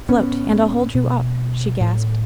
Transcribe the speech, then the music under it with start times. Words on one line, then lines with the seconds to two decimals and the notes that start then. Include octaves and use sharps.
"Float, and I'll hold you up," she gasped.
0.08 A2 B3 C#4
0.94 B2
1.80 A2